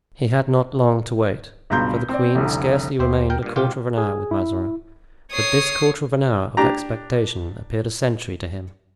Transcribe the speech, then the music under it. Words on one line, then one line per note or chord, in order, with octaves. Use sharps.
He had not long to wait, for the queen scarcely remained a quarter of an hour with Mazarin, but this quarter of an hour of expectation appeared a century to him.
C#2 G2 B2 A#5 C6 G6
C4 D5
F1 C2 D3
D#2 G4 C5 E5
A#4 G5
G2 A#2
G#2 B2 F4 G4
G#4
E4
C#5 D#6 C7
D4 G4 A#5